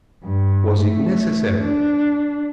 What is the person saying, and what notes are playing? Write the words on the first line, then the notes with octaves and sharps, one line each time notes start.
Was it necessary?
G2
A3
D4